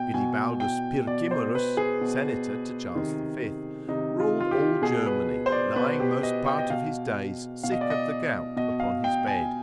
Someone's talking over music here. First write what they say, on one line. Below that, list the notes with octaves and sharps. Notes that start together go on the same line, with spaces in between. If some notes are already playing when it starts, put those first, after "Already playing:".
Bilibaldus Pirkimerus, senator to Charles the Fifth, ruled all Germany, lying most part of his days sick of the gout upon his bed.
Already playing: B2 G5
B2 G#5
G5
B2 D5
C5
B4
G#4
B2
C3 D#3
C3 D#3 D#4
F4
F4
G4
B2 G#4
B4
C5
D5
B2 B4
G4
D#5
G5
D#5
B2 F5
B2 F5
D#5
D5
D#5
B2 D#5
F5
G5
G#5